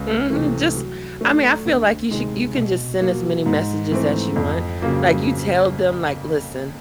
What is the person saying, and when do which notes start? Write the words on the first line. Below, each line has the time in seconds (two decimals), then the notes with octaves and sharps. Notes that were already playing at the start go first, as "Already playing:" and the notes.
Mhm. Just, I mean, I feel like you should you can just send as many messages as you want. Like, you tell them, like, "Listen,
Already playing: C#2
0.30 C3 E3 A3
0.75 F#3
1.21 A3 D4
1.65 D2
2.11 C3 D#3 G#3
2.56 B2
3.01 F#3 A#3
3.46 G#2
3.92 E3 A3 C4
4.36 F2
4.82 C#3 F#3 A#3